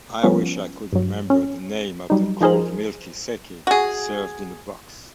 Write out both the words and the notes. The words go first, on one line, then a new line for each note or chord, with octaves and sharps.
I wish I could remember the name of the cold milky saké served in a box.
F3 G3 B3 C#4
G2 F#3
C#4
F#3 G3 D#4
F3 D#4 G#4 A#4 C5
F#4 G#4